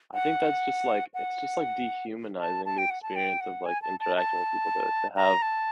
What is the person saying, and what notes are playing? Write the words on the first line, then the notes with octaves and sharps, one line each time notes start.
I think that's just, like it's just, like, dehumanizing the experience of, like, interacting with people to to have
F#5
F#5
A5
A5
G5
F#5
A5
G5
F#5
G#5
A5
A5
A5
A#5
A5